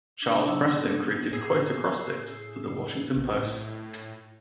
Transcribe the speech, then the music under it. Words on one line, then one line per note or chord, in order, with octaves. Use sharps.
Charles Preston created Quote-Acrostics for the "Washington Post".
D4
G#2 C#3 B3 D4 G#4 D6
C3 F#3 C#5 A5 C6 E6
G#4 A4
B3 D4 A4 C#5
A2 G#4 E6 C7
A#1
A2